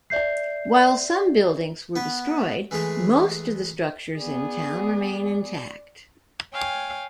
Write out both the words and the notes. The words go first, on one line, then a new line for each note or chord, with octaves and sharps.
While some buildings were destroyed, most of the structures in town remain intact.
D5 E5 G6 C7
B3 B4
E3 G#3 A3 G#4
B3 G#4 D5
C#5 F5 G5 G#5